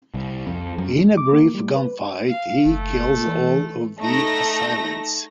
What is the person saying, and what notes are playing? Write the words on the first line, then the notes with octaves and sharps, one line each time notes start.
In a brief gunfight, he kills all of the assailants.
C2
F2
F#2
D6
A#3
G3
B4
F5
F#1 A3
E3
A3 D#4 A#6